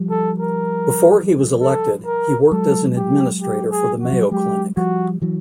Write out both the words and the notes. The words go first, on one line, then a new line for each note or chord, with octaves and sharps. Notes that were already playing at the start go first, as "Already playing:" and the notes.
Before he was elected, he worked as an administrator for the Mayo Clinic.
Already playing: F3 G3
A4
A#4
A4
A#4
F#3 G#3 A4
G4
G4
G#4
F3 F#4
F#3
G3
F#3 G#3 G4
F3 G3 F#4
E3 F#3